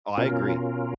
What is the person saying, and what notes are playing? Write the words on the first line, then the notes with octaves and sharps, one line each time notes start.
Oh, I agree.
B2 C#4 F4 A#4